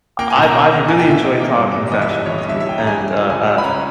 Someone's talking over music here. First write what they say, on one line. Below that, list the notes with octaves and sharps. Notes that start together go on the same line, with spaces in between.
I've I've really enjoyed talking fashion with you, and, uh, uh,
A#3 G5
G#5
B2
A#5
A#3
A#3
B2 G#5
G5
B2
E5
D#4
A#3
G2
G3
E3 D#5
E5
G3 D#5
E3 C#5
D#5
G2
E5
G2 E5
G5
G3 A#5
G#5
G3
C#2
C#2 G#5
C#2
B5
C#4 A#5